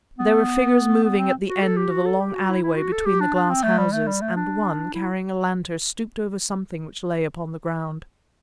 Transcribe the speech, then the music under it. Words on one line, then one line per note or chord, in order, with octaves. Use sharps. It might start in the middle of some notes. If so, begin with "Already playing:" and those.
There were figures moving at the end of a long alleyway between the glass houses, and one, carrying a lantern, stooped over something which lay upon the ground.
B3
B3
C4
F#4
A4
G4
F#4
A4
G4
F#4
E4
E4
F#4
A4
G4
D4
D4
C4
A3
G3
A3
G3
A3
D4
E4